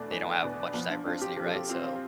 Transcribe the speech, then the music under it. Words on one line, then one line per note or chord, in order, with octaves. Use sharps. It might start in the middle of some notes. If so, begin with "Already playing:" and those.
they don't have much diversity, right? So
Already playing: E2 B2 A3 B3 D4
E2
B2 B3 D4
F3 B3
D4
C4 D4 F4
G4
F3 G4
A4
G4
C4 F4